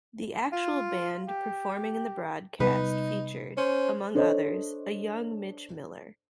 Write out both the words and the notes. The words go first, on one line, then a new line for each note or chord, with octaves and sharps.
The actual band performing in the broadcast featured, among others, a young Mitch Miller.
F4
G4
C3 G3 B3 D#4 B4
C#4 C5
D4 A4 C5 C#5 D#5